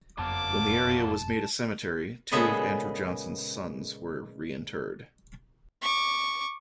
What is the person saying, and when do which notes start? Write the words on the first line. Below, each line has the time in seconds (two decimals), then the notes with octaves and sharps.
When the area was made a cemetery, two of Andrew Johnson's sons were reinterred.
0.18 F#1 F2 F#3 A#3 B3 A5 D6
2.31 A#2 C#3 G#3 B3 G#4 A4
5.82 C#6 D6